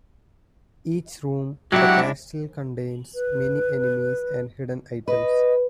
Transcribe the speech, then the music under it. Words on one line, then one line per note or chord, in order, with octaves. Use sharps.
Each room the castle contains many enemies and hidden items.
F#3 G#3 D4 E4 F#4 G4 E5 F#5
B4
B4 D#5